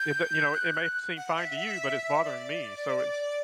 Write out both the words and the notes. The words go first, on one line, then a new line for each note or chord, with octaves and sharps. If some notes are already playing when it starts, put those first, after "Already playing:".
It the, you know, it may seem fine to you, but it's bothering me so it's
Already playing: G6
F#6
F#6
F#5
E5
D5